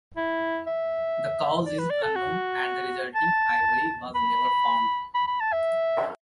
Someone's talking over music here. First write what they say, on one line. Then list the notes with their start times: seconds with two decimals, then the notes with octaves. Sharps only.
The cause is unknown and the resulting ivory was never found.
0.17 E4
0.67 E5
1.66 D5
1.79 B4
1.90 D5
2.03 A4
2.16 F#4
3.15 A5
4.15 B5
5.15 B5
5.28 B5
5.41 A5
5.53 E5